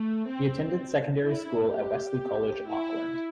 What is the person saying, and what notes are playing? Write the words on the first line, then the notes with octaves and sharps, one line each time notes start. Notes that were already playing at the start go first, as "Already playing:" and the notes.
He attended secondary school at Wesley College, Auckland.
Already playing: A3
C4
E4
G4
E4